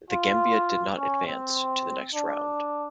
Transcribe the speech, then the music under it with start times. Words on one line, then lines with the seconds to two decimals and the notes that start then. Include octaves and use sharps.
The Gambia did not advance to the next round.
0.09 F4
0.97 C#4
1.26 C4
2.13 D4